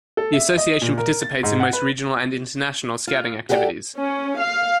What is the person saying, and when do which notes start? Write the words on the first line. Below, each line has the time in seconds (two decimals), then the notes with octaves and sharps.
The Association participates in most regional and international Scouting activities.
0.17 A4
0.33 E5
0.58 D#5
0.82 A#2
0.98 A#4
1.22 A6
1.43 G#2
1.60 F#5
1.73 B4
3.07 F4
3.49 F#4 G4 A4 B4 D5
3.96 C#4
4.37 F5